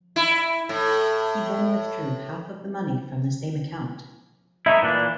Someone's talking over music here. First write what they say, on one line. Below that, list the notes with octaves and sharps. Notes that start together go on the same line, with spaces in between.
He then withdrew half of the money from the same account.
E4
A2
A3 D#4 E4 E5
A#2 E3 D4